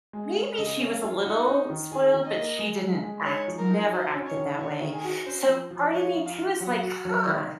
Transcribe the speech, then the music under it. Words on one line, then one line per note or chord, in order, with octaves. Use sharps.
maybe she was a little spoiled, but she didn't act never acted that way. So part of me too is like, "Huh,
G#3
G#3
C#3 D#5
C#4
F5
F4
D#4 F#5
D#4
D#3
D#3 G#4
D#3
D#5
A#3
G#3
G#3
G#3
D#4 C#5
F3
A#4
D#4
F#4 C5
C#4
C#5
D#3
D#3 C#5
D#3
G#4
F#4
C#4 C5
F3
F3
F3 C#5
F3
F5
F4
F#3 F#5
F#4
F#3
D#3